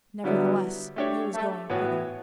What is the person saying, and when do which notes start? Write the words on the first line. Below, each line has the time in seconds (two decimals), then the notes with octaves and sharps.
Nevertheless, he was going thither.
0.24 D3 F#3 G3 B3 E4
0.96 A3 D4 G4 C#5
1.33 A3
1.70 A2 E3 B3 F#4 C#5